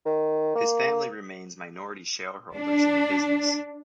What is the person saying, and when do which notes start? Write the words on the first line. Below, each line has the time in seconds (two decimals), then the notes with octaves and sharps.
His family remain minority shareholders in the business.
0.06 D#3
0.55 A#3
2.55 D4